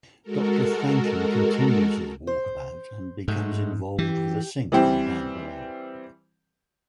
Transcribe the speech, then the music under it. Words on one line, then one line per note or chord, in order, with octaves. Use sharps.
Doctor Franklin continues his walkabout, and becomes involved with a singer in Downbelow.
G#3 F#4 A4 A#4
C5
G#2 F#3 G#3 A3
E3 G4
E3 G3 C4